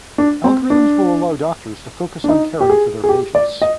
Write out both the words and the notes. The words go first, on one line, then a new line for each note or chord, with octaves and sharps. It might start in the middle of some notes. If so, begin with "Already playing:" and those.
Algorithms will allow doctors to focus on caring for their patients.
D4
C4
D4
D4
D#4
G4
G#4
G#4
G4
D5
D#5